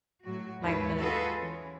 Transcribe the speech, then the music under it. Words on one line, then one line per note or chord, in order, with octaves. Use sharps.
like, the
A2 F#3 F#4
D#2 G#2 E3 E4 B4 C#5
F4 F#4 G#4 A4 B4 D#5
E3 C#4